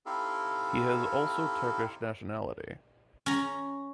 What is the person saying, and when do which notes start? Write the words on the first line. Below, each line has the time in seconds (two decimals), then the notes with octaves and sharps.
He has also Turkish nationality.
0.06 C4 D#4 E4 G4 A4 F5
3.26 C#4 A#5